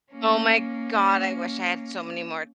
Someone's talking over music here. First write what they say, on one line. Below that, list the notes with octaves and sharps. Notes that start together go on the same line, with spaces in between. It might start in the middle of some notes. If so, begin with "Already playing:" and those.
Oh my God, I wish I had so many more
A#3 C#4